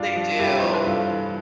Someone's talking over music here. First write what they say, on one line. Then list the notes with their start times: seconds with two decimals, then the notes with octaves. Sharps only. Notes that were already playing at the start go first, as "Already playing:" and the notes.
they do.
Already playing: G2 D4 F4
0.16 F3
0.32 F4
0.39 G2 E4 G4
0.59 F3 C5
0.74 B4
0.87 G2 F4 A4
1.10 E3